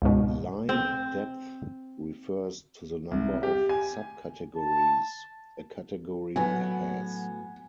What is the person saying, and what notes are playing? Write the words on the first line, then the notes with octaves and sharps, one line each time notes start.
"Line depth" refers to the number of subcategories a category has.
C#2 G#2 B2
C4
C2
G4
G#5
A5
A2 F#3 B3 F#4 G#5